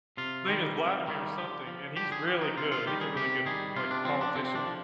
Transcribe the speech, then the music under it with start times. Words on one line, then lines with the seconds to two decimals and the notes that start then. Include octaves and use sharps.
His name is Vladimir or something, and he's really good. He's a really good, like, politician.
0.17 C3 F4
0.48 D#3 G3
0.78 C3
1.08 D#3 G3
1.38 D3 G4
1.67 F3
1.96 D3 G4
2.12 G#4
2.27 F3 G4
2.41 D#4
2.57 C3 F4
2.72 F4
2.86 D#3 G3 G4
3.01 G#4
3.16 C3 G4
3.46 D#3 G3 G#4
3.76 C3 F4
3.91 D4
4.05 F3 C4
4.21 D4
4.35 C3 C4
4.45 C4
4.55 D4
4.66 F3